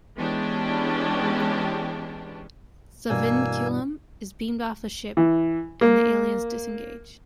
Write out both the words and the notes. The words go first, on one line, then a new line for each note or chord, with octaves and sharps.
The vinculum is beamed off the ship and the aliens disengage.
E3 G#3 B3 C#4 D4 G4
G2 B2 E3 A#3 G#5 E6
E3
A#3